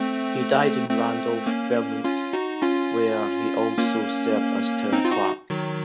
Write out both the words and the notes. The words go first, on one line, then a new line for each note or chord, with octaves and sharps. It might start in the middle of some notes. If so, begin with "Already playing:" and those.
He died in Randolph, Vermont, where he also served as town clerk.
Already playing: A3 C4
A3 C4
A#3 C#4
C#4 F4
D#4 F#4
C#4 F4
A#3 C#4
C4 D#4
F4
D#4 F#4
D#3 F#3